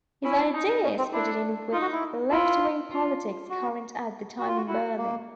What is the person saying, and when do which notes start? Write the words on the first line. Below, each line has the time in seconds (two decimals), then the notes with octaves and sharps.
His ideas fitted in with left-wing politics current at the time in Berlin.
0.24 C#4 E4
0.54 D#4
0.83 C#4
0.98 C4
1.13 D4 E4
1.72 D#4 F4
1.82 F#4
1.92 E4
2.31 E4 F4
2.91 F4
3.50 F#4
4.38 F#4
4.48 F4
4.57 F#4
4.67 E4 F#4
4.98 A#3